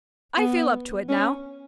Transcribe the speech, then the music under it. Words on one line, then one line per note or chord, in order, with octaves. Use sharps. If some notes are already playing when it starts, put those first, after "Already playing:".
I feel up to it now.
B3
C#4